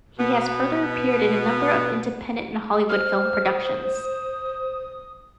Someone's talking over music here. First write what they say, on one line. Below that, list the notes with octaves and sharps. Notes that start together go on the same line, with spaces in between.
He has further appeared in a number of independent and Hollywood film productions.
B2 B3
C5 F6
D#6